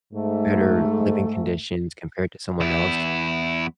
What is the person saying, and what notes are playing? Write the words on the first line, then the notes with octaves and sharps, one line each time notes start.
better living conditions compared to someone else,
G#2 A3
E2 E4